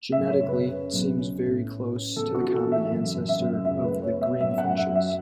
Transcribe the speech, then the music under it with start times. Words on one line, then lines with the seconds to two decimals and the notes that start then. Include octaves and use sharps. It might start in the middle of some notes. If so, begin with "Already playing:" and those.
Genetically, it seems very close to the common ancestor of the greenfinches.
0.12 E5
0.18 F#2
0.31 C#5
0.43 C#3
0.48 B4
0.67 C#4
0.93 B1
1.18 C#4
1.42 A2
1.67 A2
1.92 C#4
2.16 E2 A4
2.35 F#4
2.41 E3
2.53 A4
2.66 E3
2.72 E5
2.91 F#2
3.15 F#2
3.29 E5
3.40 F#2
3.65 C#2 E5
3.84 B4
3.91 A3
4.02 C#5
4.15 B2
4.21 E5
4.41 F#2 E5
4.58 F#5
4.64 F#2
4.77 E5
4.89 F#3
4.95 E5